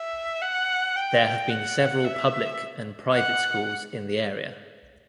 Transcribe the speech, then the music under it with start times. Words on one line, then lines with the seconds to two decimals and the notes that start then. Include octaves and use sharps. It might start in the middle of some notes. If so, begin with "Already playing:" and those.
There have been several public and private schools in the area.
Already playing: E5
0.42 F#5
0.96 G5
1.50 F#5
2.05 E5
3.12 F#5